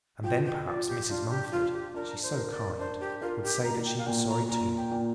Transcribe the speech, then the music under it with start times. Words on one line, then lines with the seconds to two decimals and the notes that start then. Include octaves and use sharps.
And then perhaps Mrs. Mumford--she's so kind--would say that she was sorry too.
0.24 F3 G5
0.46 G5
0.67 F3 D5
0.88 G4
1.09 D4 F4
1.30 G4
1.52 F3 F4
1.73 G4
1.94 D4 A#4
2.23 C5
2.36 A#4
2.51 D5
2.79 D4 C5
3.00 G4
3.21 F4 A#4
3.43 G4
3.64 A#2 A#5
3.85 G5
3.98 F5
4.07 A#2 G5
4.28 A#5
4.49 A#2 A#5
4.77 G5
4.91 A#2